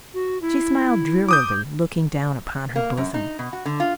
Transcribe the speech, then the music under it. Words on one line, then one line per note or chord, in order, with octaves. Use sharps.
She smiled drearily, looking down upon her bosom.
F#4
E4
D6 D#6 G6
A#3
F#2
D#4
B2
F#4
D3
F4